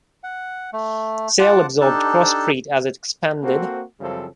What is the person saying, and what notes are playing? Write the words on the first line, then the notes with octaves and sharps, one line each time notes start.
Sale absorbed Cross Street as it expanded.
F#5
A3
F4 F#5 A5 D6
D4 D#4 G4 A4 A5
A#3 C4 F#4 A4 C5
F#2 C#3 F3 G3 C4 A4